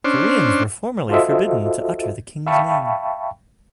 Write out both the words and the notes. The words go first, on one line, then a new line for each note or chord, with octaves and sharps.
Koreans were formerly forbidden to utter the king's name.
C#4 D4 C5
F4 F#4 A4 C5 D#5 E5
E5 F5 G5 A5 B5 C#6